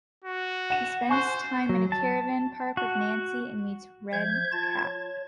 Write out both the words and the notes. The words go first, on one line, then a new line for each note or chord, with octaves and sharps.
He spends time in a caravan park with Nancy and meets Red Cat.
F#4
F#5 E7
C5 G#5 C#6 F#6
F#3
A5
F#4
F3 E5 G6 G#6
F4 A5 A6
C#5